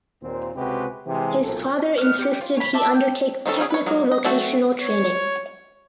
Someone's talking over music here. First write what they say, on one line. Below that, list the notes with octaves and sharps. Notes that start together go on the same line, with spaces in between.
His father insisted he undertake technical vocational training.
D#2 A#2 C4
C#2 C3 G#3 F#4 G4 B4
C3 E3 G#3 G4
B1 A#2 A4
B3 C4 F6
G4
F4
C#5 B5
E5 A5 D6 E6
G5
D#3 C4 C#4 A4
C4 C#4 F4 G#4
B4 C#5
F#3 G#3 A#3
D#5
F#3 A3 C4 F#4 A4
C#5